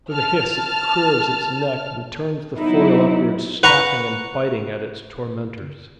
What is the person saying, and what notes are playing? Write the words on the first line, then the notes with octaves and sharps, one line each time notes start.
With a hiss it curves its neck and turns the foil upwards, snapping and biting at its tormentors.
A5 F6
F#3 B3 D#4 E4
B4 F#5 A#5 C#6